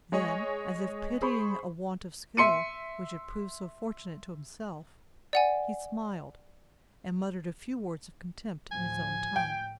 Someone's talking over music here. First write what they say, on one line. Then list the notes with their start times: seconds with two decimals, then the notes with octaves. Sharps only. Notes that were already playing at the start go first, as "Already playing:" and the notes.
Then, as if pitying a want of skill which had proved so fortunate to himself, he smiled, and muttered a few words of contempt in his own tongue.
0.12 G#3 C#5 D#5 G#5
1.22 G#4 C5 B5 C#6
2.37 E5 C6 C#7 D#7
5.33 D5 F#5 G#5
8.72 D2 A2 F3 G#5
9.36 A2 G5